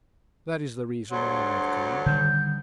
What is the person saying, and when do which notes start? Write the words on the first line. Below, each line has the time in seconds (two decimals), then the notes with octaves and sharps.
That is the reason why I have come.
1.11 D2 G2 F#3 C6
2.06 D3 D#3 G3 G6